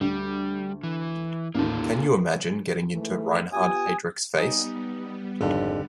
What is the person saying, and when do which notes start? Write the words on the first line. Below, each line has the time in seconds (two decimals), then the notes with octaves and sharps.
Can you imagine getting into Reinhard Heydrich's face?
0.01 D2 G3
0.83 E3
1.55 A1 D#2 A#3 F4 A4
2.94 G#2 E3 A3
3.53 B3 F4 G4 G#5 D#6
4.38 G3 B3 D#4 G#5
5.41 G#1 F2 D3